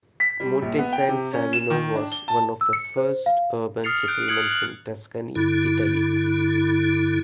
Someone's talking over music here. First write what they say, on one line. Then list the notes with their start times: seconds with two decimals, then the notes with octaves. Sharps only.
Monte San Savino was one of the first urban settlements in Tuscany, Italy.
0.20 B6
0.40 G3
0.62 A#1
0.78 B3
0.92 G5
1.08 C3
1.33 C#4
1.53 E7
1.70 D#3
1.95 D4
2.12 G7
2.28 A5
2.61 E6
2.73 C#7
2.97 C5
3.26 F5
3.84 D#6 F6 A6 C7 C#7 F7
4.08 F#6 G6 D7
4.28 D#6 F#6 G#6 C#7 F#7
4.51 F#6 F#7
5.35 G2 D3 E4